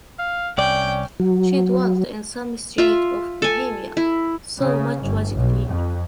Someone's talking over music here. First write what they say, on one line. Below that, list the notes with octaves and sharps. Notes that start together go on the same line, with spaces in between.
She dwelt in some street of Bohemia; so much was clear.
F5
C2 C#4 D5 G5
F#3
F4 E5
A4 G#5
E4
C#3
G1
B1
F2